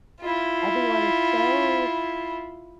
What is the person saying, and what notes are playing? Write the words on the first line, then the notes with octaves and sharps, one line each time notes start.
everyone is so,
E4 F4